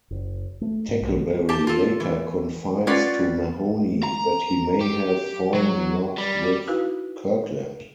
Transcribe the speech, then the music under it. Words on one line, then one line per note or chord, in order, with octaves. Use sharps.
Tackleberry later confides to Mahoney that he may have fallen in love with Kirkland.
F#1
A3
G#2
B1
G4 A5
F4 A4
E3
C#4 F4 B4 D5 F#5
A#5
G4
F#3
G3
D#4 E4 F#4 B4 F5